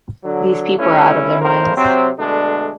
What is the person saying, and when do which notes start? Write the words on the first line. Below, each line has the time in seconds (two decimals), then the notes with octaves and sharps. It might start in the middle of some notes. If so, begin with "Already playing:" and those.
These people are out of their minds.
0.24 D3 F#3
0.78 G2 A3 C#4 E4
1.40 A#1 F2 A2 A#4 C5
1.77 C3 F#3 C4
2.19 B2 D3 G#3 A3 D4